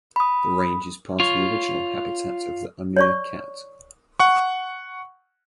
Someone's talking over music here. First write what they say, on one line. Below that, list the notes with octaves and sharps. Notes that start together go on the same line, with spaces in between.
The range is part of the original habitat of the Amur cat.
B5 D#6
F4 C#5
C#5 D5 C#6
F#5 C#6